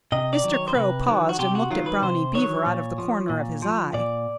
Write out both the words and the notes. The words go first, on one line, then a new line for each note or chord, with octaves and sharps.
Mr. Crow paused and looked at Brownie Beaver out of the corner of his eye.
C3 D#5
D5
D#3 F#3
C#5
C5
C3 B4
D#3 F#3
F#4
C3 G4
F#4
D#3 F#3 F4
B4
C3 C5
D#3 F#3 C#5
A#2
F3
A#2
F3
A#2 D5